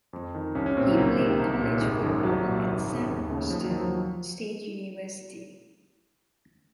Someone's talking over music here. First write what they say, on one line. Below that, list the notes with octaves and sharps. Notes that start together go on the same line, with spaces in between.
He played college football at Sam Houston State University.
F2
D#3
C2 C#4
C#4
A#2 C4
F#3
C#2 A#3
C3 D#3
C2
A#2
G#1 G#3
F#2 D#3
C2 F#3
A#2
G#1
F#2 C#3
D#2
C#3
D#2 F3
F#3
D#3 F3
F#3
F3